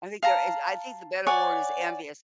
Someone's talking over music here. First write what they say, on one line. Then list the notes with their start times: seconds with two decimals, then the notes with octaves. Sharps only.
I think there is I think the better word is envious.
0.23 F5 A5 A#5
1.27 C#5 D5 F#5 G#5